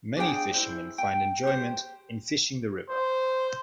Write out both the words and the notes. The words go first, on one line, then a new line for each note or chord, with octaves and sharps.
Many fisherman find enjoyment in fishing the river.
D4 G#4 C5 G5
E4 C5
G5
G4 C5
C5